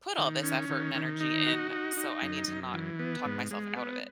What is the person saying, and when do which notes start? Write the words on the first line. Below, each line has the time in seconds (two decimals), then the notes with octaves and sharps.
put all this effort and energy in." so I need to not talk myself out of it.
0.18 D#3
0.43 C#4
0.69 D#3
0.95 D#3
1.21 D#4
1.46 F#4
1.71 D#4
1.97 D#4
2.22 F#2
2.48 F#2
2.74 E3
2.99 B3
3.25 G#2
3.51 G#3
3.76 B3